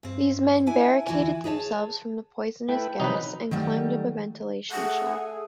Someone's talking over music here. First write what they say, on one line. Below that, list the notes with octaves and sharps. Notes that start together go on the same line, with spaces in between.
These men barricaded themselves from the poisonous gas and climbed up a ventilation shaft.
G2 C4
D4 E4 B4 G#5
D2 E3 E4 F#4 B4 G#5
G#4 B4 C#5 E5 A5
A3 E4 B4 G5
C3 E3 F#3 D#4 B4 C#5 B5
D#3 F#3 G3 A3
A3 G#4 F#5